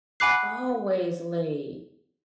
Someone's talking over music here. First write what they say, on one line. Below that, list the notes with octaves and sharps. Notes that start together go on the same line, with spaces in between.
Always late.
F#5 G#5 B5 D6 F#6 C7